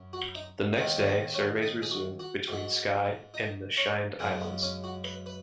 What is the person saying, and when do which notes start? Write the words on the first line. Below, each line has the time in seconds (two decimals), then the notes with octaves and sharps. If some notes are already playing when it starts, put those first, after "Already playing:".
The next day, surveys resumed between Skye and the Shiant Islands.
Already playing: F#2 F#3
0.13 F#4
0.35 D#4
0.77 D#2 D#3 G#3 B3
0.98 C#4
1.05 B3
1.34 C#4
1.62 D#4
1.82 G#4
1.91 F#4
2.19 F#4
2.48 G#2 G#3 F#4
3.34 D#4
3.77 C#4
4.19 F#2 C#3 G#3 B3
4.40 B3
4.62 C#4
4.84 F#4
5.04 B4
5.26 B4